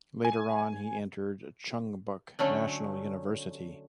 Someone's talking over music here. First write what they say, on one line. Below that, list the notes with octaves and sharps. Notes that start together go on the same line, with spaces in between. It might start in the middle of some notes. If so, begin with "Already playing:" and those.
Later on, he entered Chungbuk National University.
G#5
D3 F#3 A3 C#4